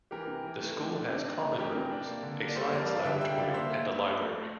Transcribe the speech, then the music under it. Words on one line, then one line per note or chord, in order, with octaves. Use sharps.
The school has common rooms, a science laboratory and a library.
E3 G4 A#4
C3
E3
A3
A3
D4
C3
D4
A3
E3 G4 A#4
C3
D4
A#3
D3
A#3
D5
G3 A4 C5
F2 A#4 D5
G3 D5 F5
D3 E5 G5
G3 E5 G5
D3 D5 F5
A#3 C5 E5
A#3
G3
D4
A3